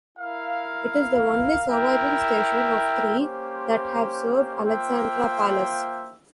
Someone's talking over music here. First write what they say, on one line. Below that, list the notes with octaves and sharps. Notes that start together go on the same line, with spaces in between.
It is the only surviving station of three that have served Alexandra Palace.
E4 A#4 F5
E4 A#4 E5 G5
A#3 C#4 G4 C5
A#3 F4 C5 E5 G5